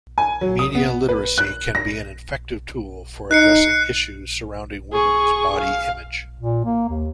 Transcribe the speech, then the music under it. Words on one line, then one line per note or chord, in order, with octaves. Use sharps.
Media literacy can be an effective tool for addressing issues surrounding women's body image.
G#5
F#3
D#6
B3
B4
F#6
A#6
D#4 F#6 C7 C#7
G#4 C#6
F5
A#2
A#3
D#2